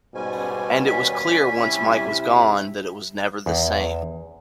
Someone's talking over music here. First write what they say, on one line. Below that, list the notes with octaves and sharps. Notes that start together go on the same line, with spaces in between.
And it was clear once Mike was gone that it was never the same.
G#2 B2 G3 C#4 G#5
D#2 B6
C3 E4
E2